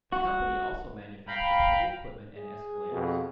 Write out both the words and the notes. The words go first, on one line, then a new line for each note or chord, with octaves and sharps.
The company also manufactured heavy equipment and escalators.
F#4
F5 G5 A#5 B5
G#4
F2 B2